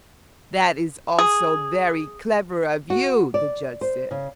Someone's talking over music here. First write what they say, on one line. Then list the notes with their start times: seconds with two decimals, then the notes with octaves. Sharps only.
"That is also very clever of you," the judge said.
1.19 G#4
2.90 F#4
3.34 D5
3.81 C5
4.11 C#3